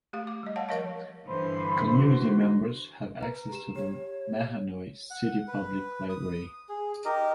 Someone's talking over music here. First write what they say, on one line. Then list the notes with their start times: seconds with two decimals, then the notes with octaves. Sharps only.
Community members have access to the Mahanoy City Public Library.
0.13 A3 G4 F5
0.27 D6
0.43 G3 D#5
0.56 C#5 F5 F#5 A5
0.69 F3 A#4 C#5 D#5 F5
1.27 G2 D3 E3 C5 B5 C6
1.97 F#4
3.21 B4 A#5
3.52 G4 E7
3.76 G4 C#5
5.11 F#5
5.48 B4
6.09 D#6
6.69 G#4
7.05 D#4 G4 A#4 D#5